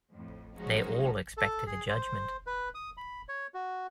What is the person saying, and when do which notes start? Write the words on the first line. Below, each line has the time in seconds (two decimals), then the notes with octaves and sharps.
They all expected a judgment.
0.12 F2 A2
0.57 F3 F#3 G#3 C#4 D#4 F#4
1.37 A4
1.67 G#4
1.89 C5
2.47 B4
2.75 D#6
2.97 B5
3.28 C#5
3.54 F#4